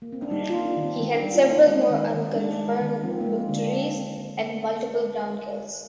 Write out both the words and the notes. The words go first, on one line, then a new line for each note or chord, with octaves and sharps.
He had several more unconfirmed victories and multiple ground kills.
A#3
C4
D4
G3 D#4
A#3 F4
D4
D#3
C4
D#3 C4
G3 D4
F4
A#3
D#4
G#3
D#3
D#3
G#3 D4
G#3
D#3
F3 C4
A#3
G#3
C4
D3 D4
C4